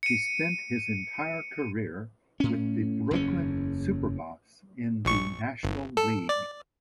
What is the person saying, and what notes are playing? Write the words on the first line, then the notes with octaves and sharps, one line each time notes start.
He spent his entire career with the Brooklyn Superbas in the National League.
C#7 D#7
A2 C#4
F#1 E2 C4 C#4
A#1 C#6
G1
A4
D5